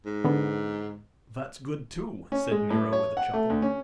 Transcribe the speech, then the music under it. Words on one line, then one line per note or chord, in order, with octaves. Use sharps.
"That's good too," said Nero, with a chuckle.
G#2
D3 B3
C#4
G#3
A2
C#5
F#5
A3
D2
C#4